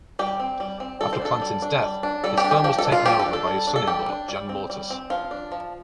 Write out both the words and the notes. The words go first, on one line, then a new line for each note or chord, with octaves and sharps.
After Plantin's death, his firm was taken over by his son-in-law, Jan Moretus.
G3 G4
C4
G3
C4
G3 A4
C5
D4 A4
G3
D4
G3
D4
G3 A4
G4
D4
G4
F3 G4
A4
D4
F4
F3 G4
A4
D4
A4
G3
D4
A4
G3 G4
D4
G3
C4
G3
C4
F3 F4
D4
F3